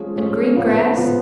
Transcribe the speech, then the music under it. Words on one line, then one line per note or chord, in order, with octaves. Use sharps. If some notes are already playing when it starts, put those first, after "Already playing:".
"And green grass?"
Already playing: F3 G#3 C#4 G#4
F3 G#3 C#4 G#4
C#3 F3 B3 F4
C#3 F3 B3 F4